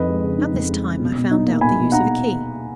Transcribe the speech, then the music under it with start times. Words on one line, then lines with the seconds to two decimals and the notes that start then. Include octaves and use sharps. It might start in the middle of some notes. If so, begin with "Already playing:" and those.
About this time I found out the use of a key.
Already playing: F2 D#4 B4 D#5
0.08 G#3
0.23 C#3
0.38 D#4
0.54 F2
0.69 G#3
0.85 C#3
1.00 B2
1.16 B2
1.31 D#4
1.47 A#3
1.61 B2 G#5 B5
1.77 B2
1.92 D#4 F#5 A#5